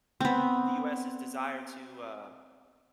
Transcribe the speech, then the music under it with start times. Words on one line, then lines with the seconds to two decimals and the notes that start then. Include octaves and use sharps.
the US's desire to, uh
0.20 B3 C4